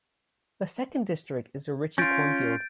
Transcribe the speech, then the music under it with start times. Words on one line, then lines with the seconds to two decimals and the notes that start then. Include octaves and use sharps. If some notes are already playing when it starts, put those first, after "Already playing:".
The second district is the Ritchey cornfield.
1.98 C#4 F4 G6 A6 D7